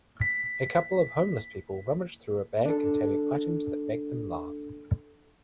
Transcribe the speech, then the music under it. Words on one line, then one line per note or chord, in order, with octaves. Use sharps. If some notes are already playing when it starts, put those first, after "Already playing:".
A couple of homeless people rummage through a bag containing items that make them laugh.
B6
D4 A4